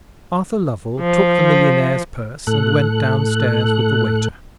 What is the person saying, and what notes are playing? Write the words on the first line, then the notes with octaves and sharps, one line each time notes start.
Arthur Lovell took the millionaire's purse and went down stairs with the waiter.
F3
A2 A4 F#6